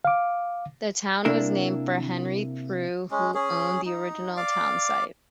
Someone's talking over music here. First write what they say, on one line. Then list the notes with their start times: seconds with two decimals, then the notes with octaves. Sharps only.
The town was named for Henry Prue, who owned the original townsite.
0.05 F5 D6
1.25 C3 A#3 D4 E4 A#4
3.11 G#3 C#4
3.34 C#4 G#4
3.86 D#4
4.37 D5 F5 D6